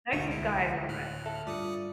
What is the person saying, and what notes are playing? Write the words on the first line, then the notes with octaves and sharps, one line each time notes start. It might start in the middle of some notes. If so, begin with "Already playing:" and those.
Nicest guy I've ever met.
G#1 D2 A#3 D#4 F#4 C5 C#6
C2 G#3 E4 D7
A2 F6 F#6
A4 E5
G2 F4 D5 D6 D#6 C#7